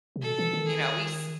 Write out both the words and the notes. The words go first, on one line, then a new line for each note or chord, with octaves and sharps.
you know, we s
C3
B2 A4
E3
D#3
G#4